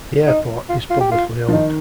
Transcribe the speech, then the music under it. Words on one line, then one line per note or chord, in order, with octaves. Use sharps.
The airport is publicly owned.
D#4
F4
F4
G4
F4
F3
D#3 D#4